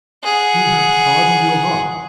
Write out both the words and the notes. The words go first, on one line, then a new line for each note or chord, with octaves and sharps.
You have hardened your hearts.
G#4 F#5